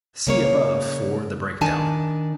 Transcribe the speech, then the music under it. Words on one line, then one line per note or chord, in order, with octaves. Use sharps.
See above for the breakdown.
C#3 A#3 C#5
D#3 D4 G#5 A5